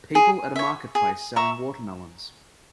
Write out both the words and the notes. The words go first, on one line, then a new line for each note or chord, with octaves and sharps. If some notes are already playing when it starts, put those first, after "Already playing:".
People at a marketplace selling watermelons.
G#4
C#5 E5
G#4
E5 A#5 C#6